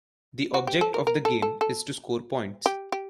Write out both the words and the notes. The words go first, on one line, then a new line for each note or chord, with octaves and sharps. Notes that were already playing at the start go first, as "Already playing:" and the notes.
The object of the game is to score points.
F#4
G4
A4
A#4
A#4
A4
A4
A4
G4
G4